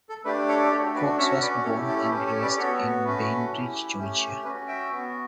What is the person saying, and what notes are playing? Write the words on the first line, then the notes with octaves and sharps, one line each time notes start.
Cox was born and raised in Bainbridge, Georgia.
A4
A3 D4 G4 B4
A4 C#5
A3 D4 F#4 A4 C#5
B4 D5
C#4 F#4 C#5 E5
B4 D5
A3 C#4 E4 G4 A4 C#5
A4
C#4 G4 B4
A4 C#5
B4 D5
B3 F#4 A4 C#5
A3 C#4 F#4 B4
C#4 E4 G4
A3 C#4 G4
C#4 F#4 B4
E5 G5
B3 F#4